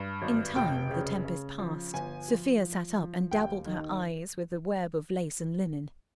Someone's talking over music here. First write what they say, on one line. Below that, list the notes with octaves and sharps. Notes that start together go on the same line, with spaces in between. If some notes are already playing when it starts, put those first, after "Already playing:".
In time the tempest passed, Sofia sat up and dabbled her eyes with a web of lace and linen.
Already playing: G2
G#1
F1 G5
C#3
C#3
F3
G1 G#5
F3
F3
F3
D#2 G5
D#3